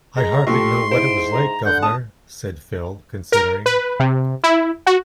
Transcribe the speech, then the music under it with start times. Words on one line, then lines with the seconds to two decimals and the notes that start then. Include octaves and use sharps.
"I hardly know what it was like, guv'nor," said Phil, considering.
0.17 G#3 A#5
0.47 A#1 A3 G4 C6 C#6
0.91 G#2 E4 C5 D7
1.32 A#5
1.65 D3 F#5 G6
1.82 A5 D#6
3.32 A#4
3.66 B4
4.00 C3
4.44 E4
4.86 F#4